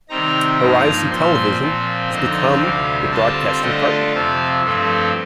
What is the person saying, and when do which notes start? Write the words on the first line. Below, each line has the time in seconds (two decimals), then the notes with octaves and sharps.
Horizon Television has become a broadcasting partner.
0.09 C3 D#3 G3 C4 D#4 A#5
0.59 G2 F3 A#3 D#4 A#5
1.10 A#2 F3 C4 C6
1.60 A#2 F3 C4
2.11 F2 D3 F3 C4 D#4 D#5
2.61 D2 C3 G3 F5
3.11 D3 G3 C4 F4 A5
3.62 D3 A3 D4 F4 D#5
4.12 F2 C3 F3 F5
4.62 G2 F3 A3 C4